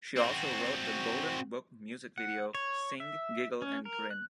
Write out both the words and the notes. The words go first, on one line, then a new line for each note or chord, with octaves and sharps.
She also wrote the Golden Book Music Video "Sing, Giggle and Grin".
C4 F#4
F#5
C#5
E5
C#4
A#4
F#6